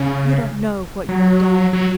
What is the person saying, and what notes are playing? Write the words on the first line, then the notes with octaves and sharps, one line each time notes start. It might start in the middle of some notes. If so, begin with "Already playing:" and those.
You don't know what you have done.
Already playing: C#3
F#3
F#3